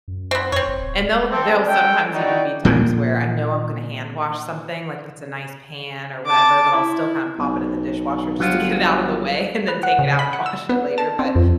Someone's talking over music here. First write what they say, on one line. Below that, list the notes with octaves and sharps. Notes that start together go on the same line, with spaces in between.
and they'll they'll sometimes even be times where I know I'm gonna hand wash something, like if it's a nice pan or whatever, but I'll still kinda pop it in the dishwasher just to get it out of the way and then take it out and wash it later but,
F#2
B3 C4
F2 C4 C#5
F#1
D1
C4 A4
G3 C#4 A4 G5
D#4 E4 F#4 C#5 D5 G5
A#2 F3 A#3
A5 D6
E4
B1
G1 F#3 F4
B4
F#5
C#3
B5
F#5
E6
B3
A5
C4
F2